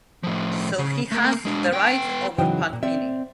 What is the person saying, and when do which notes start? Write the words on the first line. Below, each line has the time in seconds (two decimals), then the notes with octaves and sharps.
So he has the right over Padmini.
0.23 A2 F3
0.78 C#3
1.12 A3 A#3
1.45 G#3 D4
1.72 B3 G5
2.38 G#2 C#3 E3 F#3 D#4 G5
2.69 G2 A#2
2.83 C4 D5 E5